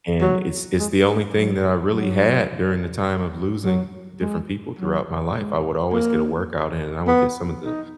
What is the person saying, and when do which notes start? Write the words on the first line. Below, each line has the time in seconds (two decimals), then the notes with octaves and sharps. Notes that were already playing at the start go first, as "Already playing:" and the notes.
and it's it's the only thing that I really had during the time of losing different people throughout my life. I would always get a workout in, and I would get some of the
0.21 F#3
0.78 G#3
1.06 G#3
1.35 F#3
1.92 F#3
3.64 F#3
4.21 G#3
4.79 F#3
5.36 G#3
5.93 A#3
7.08 B3
7.65 D#4